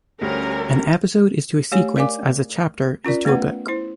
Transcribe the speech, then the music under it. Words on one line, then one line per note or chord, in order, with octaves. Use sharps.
An episode is to a sequence as a chapter is to a book.
D2 G3 C#4 G4 A#4
A3 G4 C#5 G#5
A#4 D5 F5 G#5 D6
C#4 F4 A#4 D5
A3 B3 C#4 B4 F#5
E4 C5